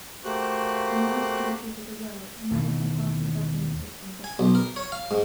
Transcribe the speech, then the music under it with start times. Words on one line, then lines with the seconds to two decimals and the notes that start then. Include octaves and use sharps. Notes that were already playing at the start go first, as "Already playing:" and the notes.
In most countries of the world, multi-party government systems operate.
0.25 A3 A#3 F#4 G4 C5 F#6
2.51 D#2 B2 E3
4.24 G#5
4.39 B1
4.55 A#4
4.76 C#5
4.92 F5
5.11 G#2